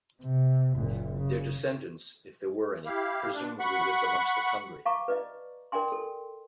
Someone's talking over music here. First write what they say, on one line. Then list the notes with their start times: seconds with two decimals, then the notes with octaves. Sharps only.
Their descendants, if there were any, presumably lived amongst the Tungri.
0.22 C3
0.76 F#1 A#2
1.18 C#3
2.86 E4 G4 F5
3.32 D4
3.59 F#5 B5 C#6
4.86 F5 A5 A#5 C#6 D6
5.08 B4 D5 D#5
5.72 A#4 D5 G5 G#5 C6
5.92 A4